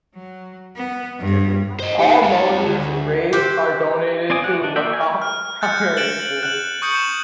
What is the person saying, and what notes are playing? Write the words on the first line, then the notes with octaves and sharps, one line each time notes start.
All monies raised are donated to Lacock Primary School.
F#3
B3
G2
C5 D#5
D#4 G4
F4 A4
D2
G4 C5 E5 F#5 G5
C4 D5 G#5 D6 D#6
F#4 G4 F#5
D#3 D4
A#3 F#4 D5 E5 G5
G#5 F6
F6
F#6 G6 A6 C#7
A6 C#7 D7 E7 F#7 G7
F#6 F#7
C#6 D#6 G6 C#7 F#7
E7 F#7